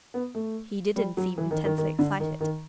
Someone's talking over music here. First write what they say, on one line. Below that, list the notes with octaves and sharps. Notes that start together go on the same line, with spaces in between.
He didn't seem intensely excited.
B3
A3
G3
F#3
E3
D#3
D#3
D#3
D3
D#3
D#3